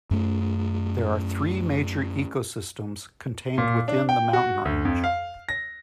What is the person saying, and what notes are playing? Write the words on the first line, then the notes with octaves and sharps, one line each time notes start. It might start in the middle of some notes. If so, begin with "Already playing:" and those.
There are three major ecosystems contained within the mountain range.
F#2 A3
A#2
D4
G5
F#4
D2
F2
F5
A#6